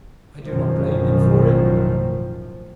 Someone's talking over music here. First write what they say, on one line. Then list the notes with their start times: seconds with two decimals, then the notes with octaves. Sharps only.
'I do not blame him for it.
0.45 A1 F#2 B2 D#3 F3